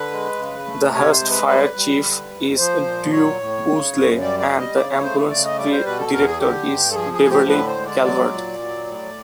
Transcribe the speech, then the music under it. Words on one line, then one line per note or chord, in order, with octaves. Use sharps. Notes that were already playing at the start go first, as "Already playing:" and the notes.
The Hurst Fire Chief is Duke Woolsey and the ambulance director is Beverly Calvert.
Already playing: D3 B4
G#3
C#3
A3
C3 C#5
C5
G#3
B4
G3 B4
G3
D3
F2
F3 C5
A#2
F#3 C#5
A2
C#3
F#2
G3 D5
D5
G3
D#5
C#3 D5
C#5
A3 C5
C#3 D5
D#5
G3 D5
C5
B2 B4
A4
E2 A#4
G#4
D3 G4
G2
A4
F3 G#4
G#4
A2
G4
D3 B4
C5
G#3
D5
F#3 D5
A#2
F#3
A2